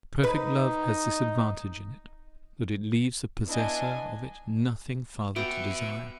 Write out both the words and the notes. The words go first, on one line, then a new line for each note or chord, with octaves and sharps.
Perfect love has this advantage in it, that it leaves the possessor of it nothing farther to desire.
D#4 B4
B3 D4 E4 D#5 G#5
B3 F#4 A4 B4 D5 E5 G5